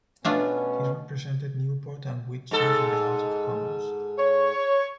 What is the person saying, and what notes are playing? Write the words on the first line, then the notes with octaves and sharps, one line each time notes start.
He represented Newport and Whitchurch in the House of Commons.
B2 A3 B3 C#4 D4 F4
G#2 A4
C#5